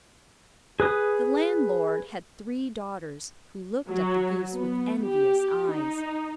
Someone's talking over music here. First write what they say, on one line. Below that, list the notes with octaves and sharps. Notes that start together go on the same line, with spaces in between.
The landlord had three daughters, who looked at the goose with envious eyes.
G#4 B4 D#6
F#3
B3
G4
D#4